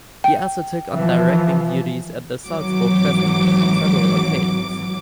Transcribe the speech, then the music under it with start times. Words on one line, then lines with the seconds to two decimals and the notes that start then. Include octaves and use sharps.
He also took on directing duties at the Salzburg Festival on several occasions.
0.24 G5
0.94 E3 F3
2.48 G#1 E3 F#3 D6